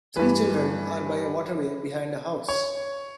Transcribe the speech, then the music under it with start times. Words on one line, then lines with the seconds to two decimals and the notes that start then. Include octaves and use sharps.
Three children are by a waterway behind a house.
0.16 G2 E3 B4
2.48 C#5